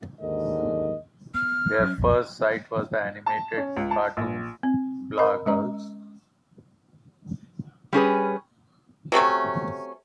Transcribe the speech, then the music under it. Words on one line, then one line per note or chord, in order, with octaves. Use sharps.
Their first site was the animated cartoon "Blah Girls".
D#2 G#2 D3 A#4 D#5
B3 F6
F#3 B3 C#4
B1 F2 A#2
A5
C#4
C#2
A5
A#1
C4
A#4 D#5 A#5 B5
G#3 C#4 D#5 A#5
G3 C#4 G#4 B4
C3 F#3 A3 C#4